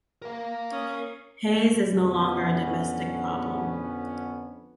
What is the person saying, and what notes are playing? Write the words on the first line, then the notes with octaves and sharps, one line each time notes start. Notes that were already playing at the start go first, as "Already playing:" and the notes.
Haze is no longer a domestic problem.
A#4 F5
C#4 D#6
F2 D3 B3 C#4